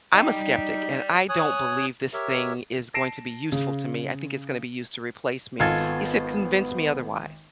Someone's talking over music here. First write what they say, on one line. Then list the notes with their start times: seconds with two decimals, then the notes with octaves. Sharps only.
"I'm a skeptic, and I don't believe this thing is going to be useful to me, I think it's gonna be used to replace me." He said, "Convince me otherwise,"
0.14 D#4 D5 G5
1.29 C#5 G#5 D#6 F#6
2.13 G4 A#4 C#5 E5
2.94 A5 A#6 C7 D7 E7
3.52 C#3
5.60 G#1 B3 F4 A4 G#5 G#6 A6